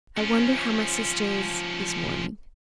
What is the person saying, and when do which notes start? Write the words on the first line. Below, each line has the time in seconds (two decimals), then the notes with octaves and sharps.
'I wonder how my sister is this morning.'
0.17 F3 C#4